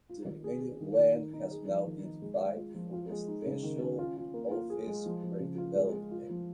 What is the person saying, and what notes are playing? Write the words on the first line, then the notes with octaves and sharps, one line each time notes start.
The remaining land has now been divided up for residential and office re-development.
F4
D#3
G#4
G#4
D#3
D#3
D#4
D#4
G#4
F3
D#3
D#4
G#3
G#3
F4
F3
F4
G#3
D#4
C#3
D#3
C#4
F4
F4
A#3
F4
G#4
G#3
F3
F3
C#3
F4
G#3
G#3
F4
F3